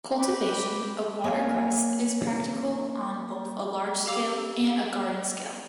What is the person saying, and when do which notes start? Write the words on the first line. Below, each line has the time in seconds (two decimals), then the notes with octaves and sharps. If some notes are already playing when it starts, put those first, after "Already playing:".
Cultivation of watercress is practical on both a large-scale and a garden-scale.
0.19 C4 G4 B4 B5 D6
1.24 A#3 C#5 G#5
4.06 G4 A4 F5 D6 E6 F7